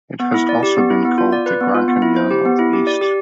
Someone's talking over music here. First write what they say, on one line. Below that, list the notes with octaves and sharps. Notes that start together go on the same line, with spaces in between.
It has also been called "The Grand Canyon of the East".
B3
E4
D5
G4
B3
E4
B3
F4
D5
B4
B3
F4
B3
E4
C5
G4
B3
E4
G4
D5
G4